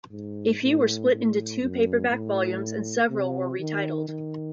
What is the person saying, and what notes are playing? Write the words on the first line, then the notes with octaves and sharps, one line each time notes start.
A few were split into two paperback volumes, and several were retitled.
G#2
A2
A2
F#2
A2
C3
D#3
D#3